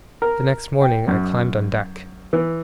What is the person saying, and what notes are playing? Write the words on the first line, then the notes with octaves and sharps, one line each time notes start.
The next morning I climbed on deck.
A#4
G5
F#2
E3